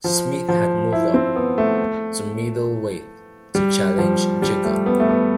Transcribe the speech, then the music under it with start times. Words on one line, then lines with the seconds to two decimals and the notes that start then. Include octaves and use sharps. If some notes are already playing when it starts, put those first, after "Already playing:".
Smith had moved up to Middleweight to challenge Jacobs.
0.04 F3
0.48 F3
0.93 E4
1.14 C4
1.36 B3
1.58 A3
3.55 G3
3.98 F3
4.42 G3
4.65 A3
4.86 B3
5.00 A3
5.09 B3